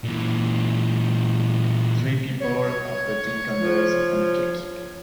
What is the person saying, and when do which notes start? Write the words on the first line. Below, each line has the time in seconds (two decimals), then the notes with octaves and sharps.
Three people are putting candles on a cake.
0.04 A#2 E3
2.40 C#5
3.58 F3